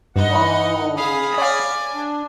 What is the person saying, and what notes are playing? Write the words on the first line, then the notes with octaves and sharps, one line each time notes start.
Oh, yes.
G2 D#4 D#5 F#5
G#4 F5 B5 D#6
C#5 D5 F5 G#5
D4